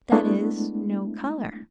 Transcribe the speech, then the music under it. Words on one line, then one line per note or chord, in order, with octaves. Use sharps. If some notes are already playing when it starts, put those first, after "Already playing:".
That is, no colour.
G#3 A3 B3 D4 E4